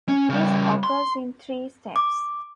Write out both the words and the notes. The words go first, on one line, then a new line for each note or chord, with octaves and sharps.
This occurs in three steps.
C#4
C#3 G3
C6
D6